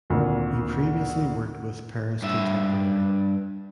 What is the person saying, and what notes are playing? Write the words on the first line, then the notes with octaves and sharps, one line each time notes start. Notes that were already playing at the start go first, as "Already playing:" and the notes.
He previously worked with Peris Contemporary.
G#1 D2 A#2
G2 E5